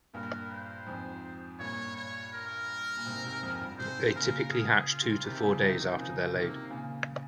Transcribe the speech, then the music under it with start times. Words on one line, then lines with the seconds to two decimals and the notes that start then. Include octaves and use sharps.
They typically hatch two to four days after they are laid.
0.14 G2 A#2 A#4
0.51 C5
0.86 F2 G#2
1.59 G2 A#2 C#5
1.96 C#5
2.33 A#4
2.97 A#2
3.06 G#2 C3
3.24 G#2 C3
3.43 F2 G#2
3.60 G2
3.79 G#2 C3 C5
4.15 A#2 C#3 A#4
4.51 G#4
4.89 F4
5.24 C3 D#3 G4
5.43 C#3 F3
5.61 C3 D#3 D#4
5.79 C3 D#3
5.97 C#3 F3 D#4
6.34 C3 D#3 A#3
6.70 A#2 C#3